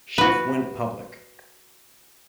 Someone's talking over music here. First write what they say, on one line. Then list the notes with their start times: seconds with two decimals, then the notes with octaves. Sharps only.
Schiff went public.
0.18 F#4 B4